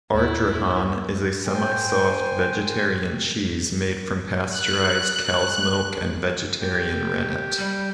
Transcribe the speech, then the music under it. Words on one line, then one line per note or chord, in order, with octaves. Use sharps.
Ardrahan is a semi-soft vegetarian cheese made from pasteurised cow's milk and vegetarian rennet.
D#2 E4
C5 G5 G#5
F#6
G4
G3